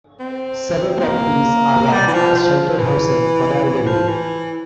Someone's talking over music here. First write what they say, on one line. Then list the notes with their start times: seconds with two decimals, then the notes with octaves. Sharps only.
Several properties are run as sheltered housing for the elderly.
0.20 C4
1.00 C4
1.06 A#3
1.92 G3
2.07 E3
2.14 F3
2.35 F3
2.79 E3
3.64 E3
3.87 F3
4.08 E3